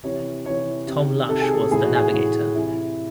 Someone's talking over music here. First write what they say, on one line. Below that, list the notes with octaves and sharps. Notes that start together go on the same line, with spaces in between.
Tom Lush was the navigator.
C3 E3 C#5
C3 E3 C#5
C3 D#3
C3 D#3 A4
G#4
A4
A2 E3 G#4
F#4
G#4
A2 E3 F#4
C3 E3 E4